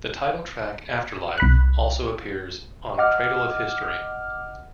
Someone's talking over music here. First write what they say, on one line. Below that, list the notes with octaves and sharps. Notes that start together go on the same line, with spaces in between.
The title track, "Afterlife", also appears on "Cradle of History".
C2 B5 F#6
D#5 F#5 D6 F6